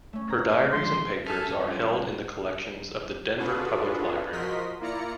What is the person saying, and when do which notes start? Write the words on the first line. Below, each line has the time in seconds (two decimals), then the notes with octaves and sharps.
Her diaries and papers are held in the collections of the Denver Public Library.
0.13 A3 C#4
0.30 A#5
0.72 G#2 F3 C6
0.85 E3 D4
1.24 A4 E5 G#5 A5 F6
1.59 D3 F3 G3 C#4
3.38 D4 F4 F#4 G#4 A4 B4
4.32 F3 F#4 A#4 D#5 C6 B6
4.81 A#3 E4 F4 D5 A#5 C#7